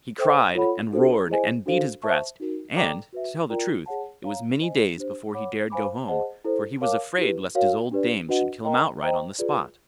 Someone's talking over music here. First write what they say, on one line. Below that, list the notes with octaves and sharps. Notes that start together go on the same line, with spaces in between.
He cried and roared and beat his breast, and, to tell the truth, it was many days before he dared go home; for he was afraid lest his old dame should kill him outright on the spot.
A4 C5 E5 G5
F4 A4 C#5 F#5 B5
D4 F#4 A4 C5
E4 G#4 C5 D#5 G#5
D4 F#4 A4 C5 F5
C5 E5 A5 C#6
D#4 F#4 A#4
A4 D5 G5 A#5 D6
F#4 B4 E5
F4 A#4 D5 G5 A#5
G#4 C#5 F#5 A5
C#5 F5 A#5
C5 D#5 G#5
D4 G4 C5
C#5 F#5 B5 D6
C5 F5 G#5 B5 D6
G#4 C5 D#5 F#5 A5
E4 A4 C5
A#4 C#5 F5 A5 D6
E4 G4 B4
F#4 A#4 C#5 F5
D4 G4 B4 D5
D4 F#4 B4 D#5 F#5
A#4 D#5 G5 A#5
C5 D#5 G5 A#5
F4 G#4 B4 D5